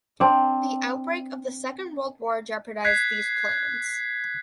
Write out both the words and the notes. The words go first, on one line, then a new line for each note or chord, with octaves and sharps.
The outbreak of the Second World War jeopardized these plans.
C4 D4
F#6 G#6 B6 C7